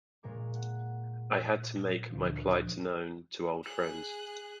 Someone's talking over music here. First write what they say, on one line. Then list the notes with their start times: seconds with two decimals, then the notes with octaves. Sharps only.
I had to make my plight known to old friends.
0.23 A#2 G#3 A#4 C#5 D6
0.54 F#5
2.10 D2 F3
2.40 F#6
3.62 G#4 F#6